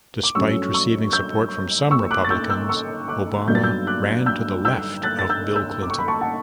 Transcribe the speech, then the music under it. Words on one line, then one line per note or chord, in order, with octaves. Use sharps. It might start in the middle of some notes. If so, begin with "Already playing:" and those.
Despite receiving support from some Republicans, Obama ran to the left of Bill Clinton.
D6
G2 F#3 A3 C#4 C#6 E6
C#6 E6
E6 G6
C#6 E6
D6 F#6
A6
E6 G6
E6 G6
C#6 E6
D6 F#6
G2 F#3 B3 D4 G6
A6
E6 G6
D6 F#6
E6 G6
E6 G6
F#6 A6
A6
E6 G6
E6 G6
D6
C#6
B5
A5 C#6
F#5 A5